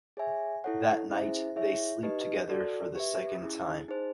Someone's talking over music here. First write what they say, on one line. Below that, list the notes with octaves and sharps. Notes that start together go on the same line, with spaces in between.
That night they sleep together for the second time.
G#4 C#5 E5 G#5
E4 A4 C#5 F#5
C#4 E4 G#4 C5 E5
E4 G#4 C#5 E5
D#4 G4 B4 D#5
F#4 A4 D5
G4 B4 E5
C#4 E4 G#4
D#4 G#4 C5